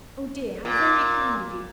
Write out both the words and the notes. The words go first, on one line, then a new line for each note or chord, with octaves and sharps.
Oh dear, how very kind of you!
A#2